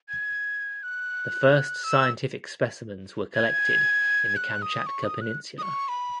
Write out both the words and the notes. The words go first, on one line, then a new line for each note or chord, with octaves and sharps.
The first scientific specimens were collected in the Kamchatka Peninsula.
G#6
F#6
E6
G#6
F#6
D#6
C#6
D#6
F#6
D#6
C#6
B5